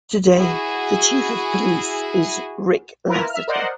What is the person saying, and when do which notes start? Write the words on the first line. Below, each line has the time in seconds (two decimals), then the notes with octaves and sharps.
Today the chief of police is Rick Lassiter.
0.34 E4 F#4 G#4
3.08 E4 F4 A#4 B4 A#5
3.30 E5 F6
3.48 A#4 C5 D5 D#5 F#5 C6